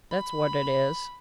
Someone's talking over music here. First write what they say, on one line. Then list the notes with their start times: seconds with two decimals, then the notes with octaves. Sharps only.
That's what it is.'
0.12 B5